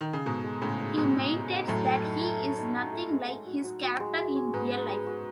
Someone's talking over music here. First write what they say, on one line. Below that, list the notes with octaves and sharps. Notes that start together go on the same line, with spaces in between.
He maintains that he is nothing like his character in real life.
D#3
C#3
G#2 B2 A4
G#3
A2 C#3 G#3
D#4
G#2 B2 G#3
G#3
D#4
D#4
F#2 A2 A3
A4
D#4
A3
A3
D#4
D#4
A3
G#3
G#3
F#4
F#4
F#4
G#3
G#3
C#4
G#2 B3
B3
B3
F#4